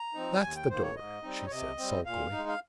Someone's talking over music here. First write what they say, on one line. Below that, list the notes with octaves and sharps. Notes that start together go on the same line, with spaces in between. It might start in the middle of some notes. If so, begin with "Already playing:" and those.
"That's the door," she said sulkily.
Already playing: A#5
F3 C4 D#4
D#2 G#5
G5
D#3 A#3 C5
C#5
G#2 D#5
G3 C4 D#4
C#5
C3 D#5
G3 C4
A#2 F5
D#4
G#3
F5